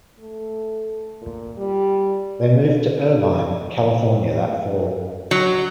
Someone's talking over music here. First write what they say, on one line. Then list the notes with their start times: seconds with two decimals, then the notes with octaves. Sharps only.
They moved to Irvine, California that fall.
0.20 A3
1.21 A#2
1.58 G3
5.31 F#3